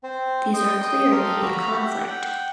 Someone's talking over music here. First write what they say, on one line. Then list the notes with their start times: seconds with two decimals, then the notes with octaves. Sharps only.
These are clearly in conflict.
0.03 C4 C5
0.54 D#5 G5 C6 D#6
1.12 G4 A4 A#4 F5 C6 D#6
1.43 F#4 F5 A#5 B5
1.72 G4 E5 F#5
2.07 F#5 G5